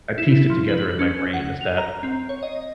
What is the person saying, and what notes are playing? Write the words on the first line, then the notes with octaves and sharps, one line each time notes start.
I pieced it together in my brain is that,
E4
F3
B4
C#4
F#5
F7
A#5
C4
C#5
D#5